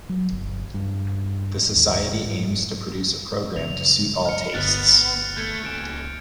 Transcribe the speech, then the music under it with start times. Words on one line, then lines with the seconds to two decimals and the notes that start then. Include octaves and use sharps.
The Society aims to produce a programme to suit all tastes.
0.09 F#3
0.32 G1
0.74 G2
1.76 D#2
2.12 G#2
3.56 F#2 C#3 F7
4.26 F6 C#7
4.54 G1 D2 B3 F6 F#6 A6
5.37 A3 G6 G#6 C#7
5.63 C#2 G2 C#3 F#6 D7 E7